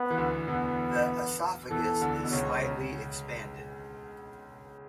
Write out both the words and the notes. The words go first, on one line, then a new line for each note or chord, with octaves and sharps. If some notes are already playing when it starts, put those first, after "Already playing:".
The esophagus is slightly expanded.
Already playing: B3
E3
D2 D3
E2 E3 B3
E2 E3 A4
D2 D3
B2
C#2 C#3 C#5
C#2 C#3